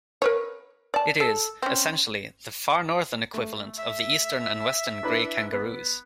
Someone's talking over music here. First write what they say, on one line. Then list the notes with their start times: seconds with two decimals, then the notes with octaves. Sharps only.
It is, essentially, the far-northern equivalent of the eastern and western grey kangaroos.
0.22 A#4 B4 C#5
0.94 D5 A5
1.20 A4
1.62 C4 C#4
3.34 A3
3.78 E5
5.03 D4 E4 B4
5.53 B3